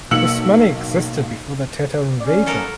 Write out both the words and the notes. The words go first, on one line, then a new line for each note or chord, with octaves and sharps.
This money existed before the Tatar invasion.
B1 A#3 E6 C#7 F#7
C#4 D5
F#3 A#3 B3 D#4 A4 A#4